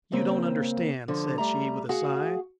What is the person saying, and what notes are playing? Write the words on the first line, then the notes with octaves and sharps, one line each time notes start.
"You don't understand," said she, with a sigh.
D#2 C#3 A#3 C4
D3 F3
G3 A3 A#5
F#4 G#4 F5 F#5